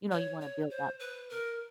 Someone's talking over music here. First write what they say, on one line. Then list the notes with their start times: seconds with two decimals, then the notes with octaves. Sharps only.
you know, you wanna build that bond.
0.11 C#5
0.41 C#5
0.70 C5
1.00 B4
1.30 A#4